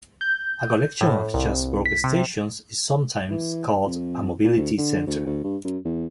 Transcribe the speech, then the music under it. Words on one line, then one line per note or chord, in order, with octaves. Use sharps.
A collection of such workstations is sometimes called a mobility centre.
G6
A2
C2
B6
C3
E3
F2
A#2
D2
D3
D2
D2
G2
F#2
E2